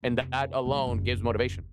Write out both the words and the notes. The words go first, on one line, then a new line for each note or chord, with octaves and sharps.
And that alone gives motivation.
F1 B3
B2 F#3
F#1 D#2